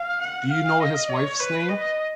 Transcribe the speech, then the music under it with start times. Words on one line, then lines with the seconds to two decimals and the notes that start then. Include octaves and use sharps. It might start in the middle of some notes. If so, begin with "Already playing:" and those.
Do you know his wife's name?
Already playing: F5
0.21 F#5
0.50 F5
0.80 D#5
1.09 C#5
1.39 B4
1.69 D#5